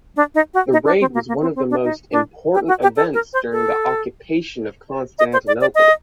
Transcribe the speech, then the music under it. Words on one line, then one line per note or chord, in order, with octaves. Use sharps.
The raid was one of the most important events during the Occupation of Constantinople.
D4
D#4
F#4
D#4
D4
C4
A#3
A#3
C4
C4
D4
D#4
D4
G4
F#4
G4
A4
A#4
C5
A4
D#5
C5
D5
D5
D#5